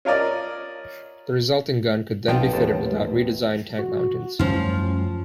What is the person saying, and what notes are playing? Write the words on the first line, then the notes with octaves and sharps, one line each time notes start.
The resulting gun could then be fitted without redesigned tank mountings.
C#4 F4 A#4 D5 D#5
B1 F3 B3 C4 G5
A1 D#2 A5
F#4
F#2 F3 G3 A3 C#4 F4